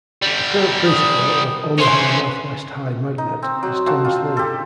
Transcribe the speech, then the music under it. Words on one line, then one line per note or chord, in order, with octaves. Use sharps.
The current principal of Omaha Northwest High Magnet is Thomas Lee.
D3 G3
D#6
E3 C#4 C5
B4
D#4
C4
F#3
C4 F#4 F5 A5
F4
G4 A4